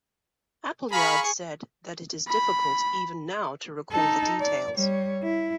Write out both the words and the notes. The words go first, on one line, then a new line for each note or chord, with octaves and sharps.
Appleyard said that It is difficult even now to recall the details.
G#4 F5 A#5 B5 C#6
B5
D#4 A4
D5
G3 C#5
E4